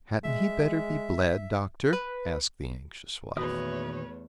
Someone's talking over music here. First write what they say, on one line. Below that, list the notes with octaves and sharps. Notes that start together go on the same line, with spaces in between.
"Hadn't he better be bled, doctor?" asked the anxious wife.
G#3 E5
B4
E2 A#2 D#3 A3 F#4 B4 C#5 D#6